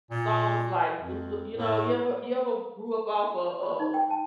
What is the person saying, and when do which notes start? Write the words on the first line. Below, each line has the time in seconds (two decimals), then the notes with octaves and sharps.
songs like, Luther you know, you ever you ever grew up off of, uh,
0.11 A#2
0.98 F2
1.54 A2
3.63 B5
3.79 D#4
3.94 G5
4.10 A5